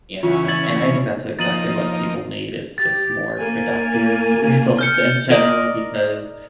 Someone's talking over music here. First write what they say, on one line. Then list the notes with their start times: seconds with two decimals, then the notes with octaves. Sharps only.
Yeah, and I think that's exactly what people need is just more productive results in general because,
0.23 C#3 E3 C#4 F4
0.48 G#6 A6 F#7
1.39 F3 A#3 D#4 A6 D#7 F#7
2.78 G4 A6
3.38 A#3 G#5
4.79 F6 G6 C#7
5.30 A#4 D5 D#5